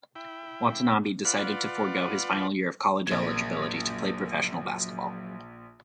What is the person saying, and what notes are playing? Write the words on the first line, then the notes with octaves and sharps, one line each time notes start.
Watanabe decided to forego his final year of college eligibility to play professional basketball.
E4 G5
F4 B4 D5 F#5
A#1 F#3 A#3 G#6